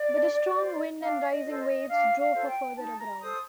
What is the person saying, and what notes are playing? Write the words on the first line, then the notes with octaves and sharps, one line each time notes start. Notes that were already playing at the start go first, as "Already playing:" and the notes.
But a strong wind and rising waves drove her further aground.
Already playing: D5
D4
F4 C5
D4 F5
D#5
F4 A4 C5
D#5
D4 F5
F5
F4 A4 C5
G5
D#4 A5
A#5
A4 C5 D#6